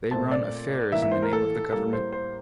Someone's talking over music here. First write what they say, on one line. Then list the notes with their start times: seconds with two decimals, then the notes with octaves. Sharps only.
They run affairs in the name of the Government.
0.11 A#2 A3 C4 A5
0.31 D5
0.92 A2 E3 A#3 E5
1.02 E5
1.12 C5
1.23 A#4
1.33 A4
1.72 A2 G3 A#3 A4
1.93 C5
2.12 C5